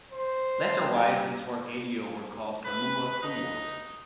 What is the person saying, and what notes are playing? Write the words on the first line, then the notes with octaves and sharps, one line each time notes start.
Lesser wives of the Swargadeo were called "chamua kunworis".
C5
G3
B4
D#4